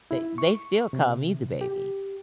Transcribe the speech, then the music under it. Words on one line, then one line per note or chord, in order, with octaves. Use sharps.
they they still call me the baby.
E4
C#6
C3
G4